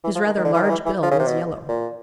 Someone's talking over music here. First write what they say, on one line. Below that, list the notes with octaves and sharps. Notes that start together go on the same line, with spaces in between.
His rather large bill was yellow.
E3
F3
D#3
D#3
D3
E3
D#3
E3
E3
F3
C#3
C3
B2
A#2